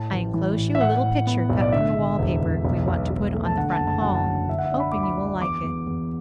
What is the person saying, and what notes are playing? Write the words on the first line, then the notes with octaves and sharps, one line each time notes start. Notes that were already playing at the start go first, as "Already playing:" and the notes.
I enclose you a little picture cut from the wall paper we want to put on the front hall, hoping you will like it.
Already playing: A2 A5
A1
E3
A2
E5
A2 F#5
A2
B3
B1
D5
D3 E5
D3
E1
E1
B1
B1
B1
A3
A5
D3 F#5
A5
F#1
A5
F#2 F#5
A5
D3
D3 E5
F#5
E5
D4
B5
D2 D6
B5
D4
E2 D6
E2
E2